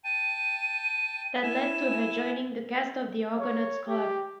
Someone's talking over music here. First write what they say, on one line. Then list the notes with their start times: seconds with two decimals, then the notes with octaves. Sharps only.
That led to her joining the cast of the "Argonauts Club".
0.04 G5 A5 D#7
1.43 E4 G#5 E7
3.40 C#5
3.88 G4